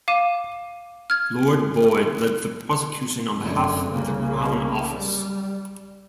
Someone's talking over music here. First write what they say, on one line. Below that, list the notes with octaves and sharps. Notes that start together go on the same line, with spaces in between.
Lord Boyd led the prosecution on behalf of the Crown Office.
F5 D6 D#7 E7
F6 G#6
F1 F#2 D3
C2 C#3 A#3
G3